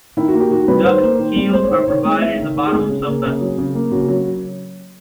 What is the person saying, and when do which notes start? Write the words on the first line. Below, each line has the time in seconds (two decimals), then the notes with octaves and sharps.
Duct keels are provided in the bottom of some vessels.
0.17 D#3 E4
0.28 F#4
0.34 A#3
0.40 G4
0.51 D#3 F#4
0.68 G3 B4
0.85 D#3 C5
1.02 A#3
1.19 D#3
1.36 G3
1.53 G#3 C5
1.63 C#5
1.70 D#3 C5
1.87 D#3 C#5
2.05 G#3
2.21 G#3 E5
2.39 D#3
2.56 D#3
2.67 G#4
2.72 G#3
2.78 G#4
2.89 C#3
3.07 A#3
3.24 C#3
3.41 F#3
3.58 C#3
3.75 A#3
3.91 C#3 F#4
4.08 F#3